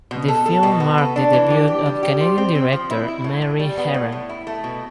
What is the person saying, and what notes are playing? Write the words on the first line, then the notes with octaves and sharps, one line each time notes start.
The film marked the debut of Canadian director Mary Harron.
B2
A4
A4
B2
B3
A4
D4
E3
G4
G4
G3
G4
F3
C4
C4
F3
E4
E4
A2
A2
G3
B3
A2
A2
E4
A3
B2